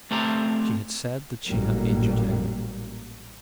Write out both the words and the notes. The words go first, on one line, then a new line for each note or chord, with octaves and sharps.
She had said that she had injured him.
A3 C4 G4 C5 D5 A#5
A1 A#2 F#3 G3 A#3